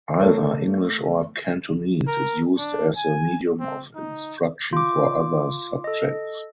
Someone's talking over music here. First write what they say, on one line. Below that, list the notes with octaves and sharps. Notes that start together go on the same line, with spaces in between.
Either English or Cantonese is used as the medium of instruction for other subjects.
A3 A4 A#4 C#5
A#4
D4
G#5
C4
D#4
F4 D6
A4 D#5